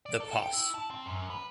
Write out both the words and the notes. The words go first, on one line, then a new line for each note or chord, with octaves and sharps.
The poss.
D5
A4
G5
E4
A5
C4
F#2
B4